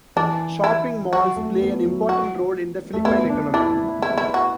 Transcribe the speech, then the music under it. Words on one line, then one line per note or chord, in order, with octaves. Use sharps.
Shopping malls play an important role in the Philippine economy.
E3 D4
E4
F#3 F#4
A3
B3
F#3
F#4
A3
B3 E4
D4
D4 E4
E4
E4
F#4